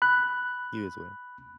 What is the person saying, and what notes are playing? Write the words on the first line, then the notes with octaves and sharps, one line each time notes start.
You as well.
B5 F#6